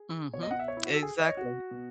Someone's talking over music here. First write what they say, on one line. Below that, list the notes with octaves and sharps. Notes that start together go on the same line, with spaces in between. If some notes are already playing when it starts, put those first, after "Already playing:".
Mhm. Exactly.
Already playing: G#4
B2 C#5
D#5
F#5
E5
C#5
E4
F#4
A4
G#4
D#5
C#5
F#4
B2